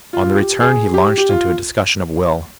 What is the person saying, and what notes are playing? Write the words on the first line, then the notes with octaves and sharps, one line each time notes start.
On the return he launched into a discussion of will.
F4
G4
G#4
G4
G4
F4